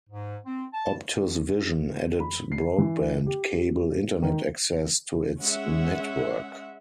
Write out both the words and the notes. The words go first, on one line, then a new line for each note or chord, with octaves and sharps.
Optus Vision added broadband cable internet access to its network.
G#2
C4
A5
B5
C7
E3
G4
D#3
G#3 C#4 E5 F#5